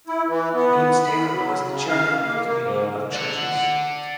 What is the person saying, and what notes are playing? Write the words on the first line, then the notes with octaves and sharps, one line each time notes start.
Deems Taylor was the chairman of the committee of judges.
E4
E3
B3
B5
F#3
C#3
F5
A#3
A#3
G#2
D5 F#5